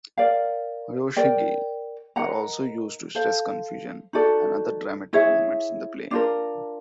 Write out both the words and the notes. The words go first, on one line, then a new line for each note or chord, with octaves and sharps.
Hyoshigi are also used to stress confusion and other dramatic moments in the play.
A#4 D5 F5
A#4 D5 G5
A#4 D#5 F#5 A#5
A4 C5 F5
D#4 F#4 A4 D5
E4 G#4 C#5 E5
D4 F4 A#4